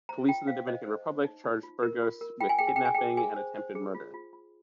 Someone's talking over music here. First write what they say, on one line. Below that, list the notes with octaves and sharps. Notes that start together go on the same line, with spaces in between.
Police in the Dominican Republic charged Burgos with kidnapping and attempted murder.
C5 A#5
F4 G5
C5 F5
C5 D#5
C5
C5
D#4
D#4
F4
A#4
F4
A#4
F4 G5
G#5
G#4 G5
G#5
G#4 G5
G#5
G#4 G5
G#4 G#5
C5
C5
G#4
F4
F4
F4